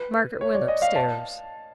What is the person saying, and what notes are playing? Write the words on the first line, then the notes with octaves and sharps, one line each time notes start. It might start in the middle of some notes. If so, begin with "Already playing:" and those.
Margaret went upstairs.
Already playing: B4
C#5
D5
D#5
F5
A5